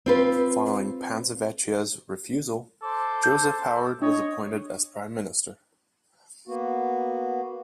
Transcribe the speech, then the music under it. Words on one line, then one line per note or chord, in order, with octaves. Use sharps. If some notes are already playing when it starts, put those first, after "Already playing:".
Following Panzavecchia's refusal Joseph Howard was appointed as Prime Minister.
C4 F4 B4
A4 C5 D6
G6
D4 C#5 D#5
A#3 B3 F#4